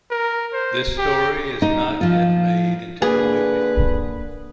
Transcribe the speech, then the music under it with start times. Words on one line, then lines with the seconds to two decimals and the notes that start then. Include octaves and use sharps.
This story is not yet made into a movie.
0.11 A#4
0.53 C5
0.98 G4
1.62 D#4
2.01 F3 F4
3.02 D3 A#3 G#4 B4